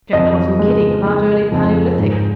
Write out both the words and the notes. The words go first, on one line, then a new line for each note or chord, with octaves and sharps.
Jack wasn't kidding about early Paleolithic.
F2 D#5
G#3
G#3
F2
G#2